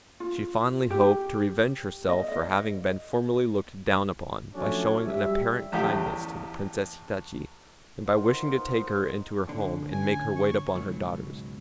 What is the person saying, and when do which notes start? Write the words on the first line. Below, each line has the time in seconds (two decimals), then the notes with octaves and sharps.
She fondly hoped to revenge herself for having been formerly looked down upon, by showing an apparent kindness to the Princess Hitachi, and by wishing to take her into her home, and make her wait upon her daughters.
0.20 F4
0.90 G4
2.09 D#5
2.32 D#5
4.53 F3 F#3 A3 C#4 D4 C#5
5.06 G3 E5
5.72 A1 E2 A2 G4 E5
8.06 B3 D#4 F4 A#4 C5 F#5
9.49 F#2 A2 D3 C#4
9.92 G#5
10.36 C#6
10.75 C#2 G#2 B2 F#3